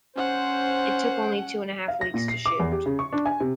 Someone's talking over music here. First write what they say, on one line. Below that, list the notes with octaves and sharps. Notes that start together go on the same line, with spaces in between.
It took only two and a half weeks to shoot.
C#4 C5 F#5
F5
A#6
A#2
C7
D6
E2
G4
C#3
C#6
D4
G#5
C3